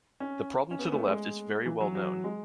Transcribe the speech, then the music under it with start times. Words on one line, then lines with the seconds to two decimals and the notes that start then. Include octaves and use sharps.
The problem to the left is very well known.
0.20 C#4
0.71 C#4
0.79 B3
0.93 A3
1.08 G#3
1.66 E3
1.80 F#3
1.95 F#3
2.24 G#3